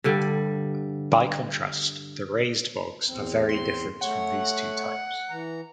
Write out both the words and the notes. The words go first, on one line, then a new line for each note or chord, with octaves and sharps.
By contrast the raised bogs are very different from these two types.
G2 D3 G3
E2 C4
C6
A3 C#5 F#5
E3 A#5